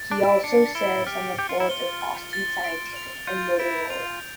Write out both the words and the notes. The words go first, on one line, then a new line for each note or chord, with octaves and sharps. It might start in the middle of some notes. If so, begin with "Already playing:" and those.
He also serves on the boards of Boston Scientific and Motorola.
Already playing: A6
D4 D7
E4
D4 C#7
E4 G7
G4 F6
G4 C#7
F4
E4
F4 G7
F6
A6
D7
F7
F4 G6
E4 D7
F4 F7